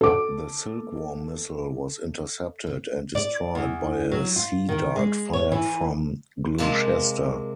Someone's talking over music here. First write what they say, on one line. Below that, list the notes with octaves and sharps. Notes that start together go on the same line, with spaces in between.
The Silkworm missile was intercepted and destroyed by a Sea Dart fired from "Gloucester".
A4 D6
D5
E2
F#3
F4
D#3
G#3
C#5
E3
C3 G#3 A#3 A5